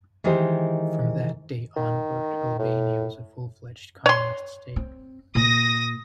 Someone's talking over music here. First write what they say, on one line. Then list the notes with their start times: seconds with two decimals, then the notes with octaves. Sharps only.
From that day onward, Albania was a full-fledged Communist state.
0.24 D#3 E3 G#3 D#4 G4 C5
1.76 D#3
2.59 A2
4.06 C#5 C6
4.76 C4
5.35 A#2 D#6 A#6